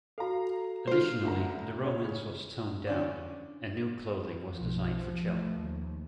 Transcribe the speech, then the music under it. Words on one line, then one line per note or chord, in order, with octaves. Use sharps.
Additionally, the romance was toned down, and new clothing was designed for Chel.
F#4 A4 F5 A#5
F4 C5
D2 A#5
C#3 C#5
D3 C#4 D5
B1 F3
F3
E3 F3 A3
D#2